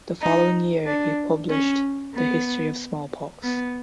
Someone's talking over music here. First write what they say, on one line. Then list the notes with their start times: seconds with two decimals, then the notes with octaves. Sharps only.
The following year he published "The history of smallpox".
0.22 D#4
0.86 D4
1.50 C#4
2.14 B3
3.43 B3